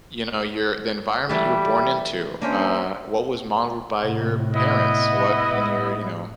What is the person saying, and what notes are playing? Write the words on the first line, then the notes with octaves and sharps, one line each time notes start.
you know, your the environment you were born into, uh, what was modeled by your parents? What in your, you know,
E3 G3 A3
A#3 C#4 D4 C5
A2 C3
B3 E4 D#5
A2